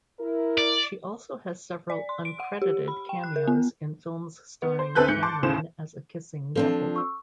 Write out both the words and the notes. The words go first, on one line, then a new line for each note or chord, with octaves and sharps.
She also had several uncredited cameos in films starring Cameron as a kissing double.
E4 A#4
D5
D5
C6
D7
F#5
G4
B5
G5
F#6
A#4
B3
B3
C5
D2 C4 A4 B4 F#6 G6
G#2 G6 C#7
A5 C6 D6
D#2 A2 C#3 C5 E7
F3 C4 D4 A4
C#6 E6